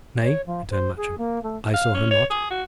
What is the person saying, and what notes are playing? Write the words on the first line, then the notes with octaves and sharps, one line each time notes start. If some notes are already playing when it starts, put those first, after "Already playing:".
"Nay," returned Matcham, "I saw her not."
C#5
F3
C5
G#4
A#3
A3
F5
C#4
C#5
G#4
F#4